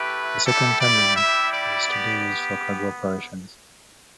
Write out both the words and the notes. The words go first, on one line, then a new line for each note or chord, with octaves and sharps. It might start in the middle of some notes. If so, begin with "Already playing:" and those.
This second terminal is today used for cargo operations.
Already playing: A3 E4 G4 B4
G3 E4 G4 A4
D5
E5
D5
B3 G4